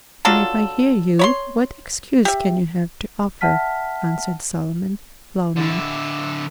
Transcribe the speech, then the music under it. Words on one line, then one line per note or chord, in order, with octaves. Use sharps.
"And if I hear you, what excuse can you have to offer?" answered Solomon, frowning.
F#3 D4 F4 A4
C#5 B5 C6
G4 E5
E5 F#5 A5 F6 B6
D3 E4